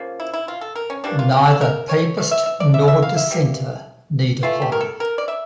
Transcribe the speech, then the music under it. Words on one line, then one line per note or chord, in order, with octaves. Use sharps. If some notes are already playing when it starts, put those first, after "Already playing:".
Neither Papist nor dissenter need apply.
Already playing: C#3 F3 A#3
E4
E4
F4
A4
A#4
C#4
E3 G3 A#3 D4
F4
G4
A4
A#4
C#5
E3 A3
E5
E5
D5
E5
E5
F5
E5
E3 G3 A#3
E3 A3 F4
G4
A#4
A4
A#4
D5
E5